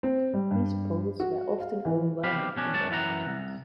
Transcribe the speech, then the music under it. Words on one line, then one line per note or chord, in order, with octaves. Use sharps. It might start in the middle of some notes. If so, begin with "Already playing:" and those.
These polls were often overwhelming in their margins.
C4
G3
G2
F#4
F5
E3
B1 C3 G4 F5 B5
B2 C#4 D4
F#2 G#3 C#5 D5 A5
F#2 E3 E4 F#5 A#5
C2